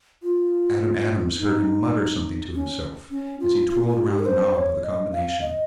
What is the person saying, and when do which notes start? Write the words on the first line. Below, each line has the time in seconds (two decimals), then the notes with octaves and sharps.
Adam Adams heard him mutter something to himself as he twirled around the knob of the combination.
0.23 F4
1.38 D#4
2.54 C#4
3.11 C#4
3.40 F4
3.69 F4
3.88 F4
4.07 G4
4.20 A#4
4.26 C5
4.55 C#5
4.84 D#5
5.12 F5
5.41 D#5